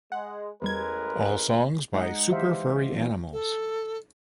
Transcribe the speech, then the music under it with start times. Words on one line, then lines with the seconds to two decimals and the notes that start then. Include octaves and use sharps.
All songs by Super Furry Animals.
0.12 G#3 F#5
0.62 A1 E2 G3 G#3 A#4 B4 G#6
1.94 G#3 D#4 D#5 F#5
2.30 E3 G4 C5 E5 F5
2.92 D#3 E3 F#3 B3 C4
3.33 A4